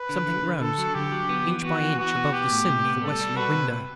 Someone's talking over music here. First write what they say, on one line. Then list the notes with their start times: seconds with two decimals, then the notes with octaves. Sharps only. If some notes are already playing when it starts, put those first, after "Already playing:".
Something rose, inch by inch, above the sill of the westerly window.
Already playing: B4
0.09 D3
0.26 D3
0.44 D3
0.61 D3 A4
0.78 F#3
0.95 D3 G4
1.12 F#3
1.29 B3
1.48 E3
1.64 B3 F#4
1.82 E3
1.98 B3 F#4
2.17 B3
2.33 B3 G4
2.51 A2
2.68 C3
2.85 B3
3.02 G3 A4
3.20 G3
3.36 F#4 B4
3.54 C3
3.72 C3